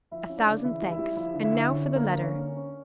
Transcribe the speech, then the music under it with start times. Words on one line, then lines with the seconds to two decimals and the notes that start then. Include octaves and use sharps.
"A thousand thanks--and now for the letter."
0.11 F3 E4 E5
0.30 C#4
0.38 D4 D5
0.47 C#3
0.64 E3 E4 E5
0.82 G3
0.90 E4 E5
0.99 G3
1.17 F3 E4 E5
1.34 D3
1.43 E4 E5
1.52 D3
1.69 D3 C#4 C#5
1.86 D4
1.95 A#3 A#4
2.04 D3
2.22 C#4 C#5
2.39 C#4
2.57 C#4